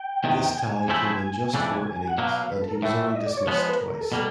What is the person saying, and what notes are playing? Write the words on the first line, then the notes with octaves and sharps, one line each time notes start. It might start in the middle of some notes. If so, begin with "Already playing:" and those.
This tally came in just four innings and he was only dismissed twice.
Already playing: G5
E2 C3 D#3
G#5
G#5
C#3 F3 A3 C4 E4
F2 C#3 E3 A3 D4 G#5
G#5
G#5
G#5
F#5
B2 F#3 A#3 F5
B4
A4
A#4
A2 E3 A3 E5
D#5
D5
C#5
F3 G#3 B3 C#5
C5
B4
A#4
A#4
A4
B2 G3 A#3